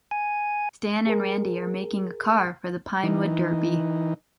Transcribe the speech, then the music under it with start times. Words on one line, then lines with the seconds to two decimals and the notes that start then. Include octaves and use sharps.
Stan and Randy are making a car for the Pinewood Derby.
0.11 G#5
1.07 G#4 A#4
3.03 E3 D#4